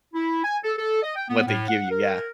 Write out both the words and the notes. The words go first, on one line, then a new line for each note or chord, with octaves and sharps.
what they give you, yeah.
E4
G#5
A4
A4
D#5
G5
B3
A2
F#5
A#4